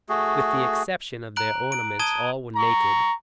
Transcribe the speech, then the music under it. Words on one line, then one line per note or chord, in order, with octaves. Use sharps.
With the exception of their ornaments all were naked.
A3 F#4 G#4
A#5 F#6 D7 F#7
D7
A5 D#6 G#6 D#7 G7
A#5 C#6